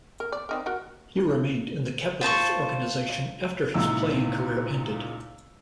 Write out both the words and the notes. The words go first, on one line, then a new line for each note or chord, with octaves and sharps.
He remained in the Capitals organization after his playing career ended.
A#4
D5
C4 D#4 A#4
F#4 A#4 F#5
F4 C5 A5 C#6
C#2 A#2 D#4 E4 E6